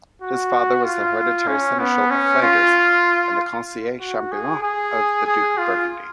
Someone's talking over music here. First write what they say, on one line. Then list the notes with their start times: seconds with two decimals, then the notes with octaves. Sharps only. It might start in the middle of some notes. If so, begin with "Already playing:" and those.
His father was hereditary seneschal of Flanders and "conseiller-chambellan" of the Duke of Burgundy.
0.22 F#4
0.84 F4
1.47 C#4
1.79 B3
2.10 C#4
2.43 F4
4.00 F#4
4.32 G#4
4.63 G#4
5.26 G#4
5.58 F4